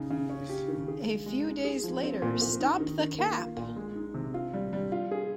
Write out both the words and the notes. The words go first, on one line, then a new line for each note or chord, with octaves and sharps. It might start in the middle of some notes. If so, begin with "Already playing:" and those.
A few days later, Stop The Cap!
Already playing: C#3 D#4
C#3
C#4
G4
D#3
G#4
G#3
G#3
D#4
G#4
F3
C4
A#2
A#2
D#4
D#3
D#3
A#3
F4
A#2
G#3
D#4
C3
F4
G3
G3
F4
G#4